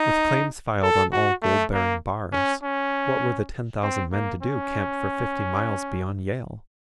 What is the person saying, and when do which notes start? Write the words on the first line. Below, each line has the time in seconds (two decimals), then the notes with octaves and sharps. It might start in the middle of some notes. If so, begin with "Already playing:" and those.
With claims filed on all gold-bearing bars, what were the ten thousand men to do camped for fifty miles beyond Yale?
Already playing: D#4
0.83 A4
1.12 F#4
1.42 A3
1.73 A#3
2.32 C#4
2.63 C#4
3.83 C4
4.12 A#3
4.42 C#4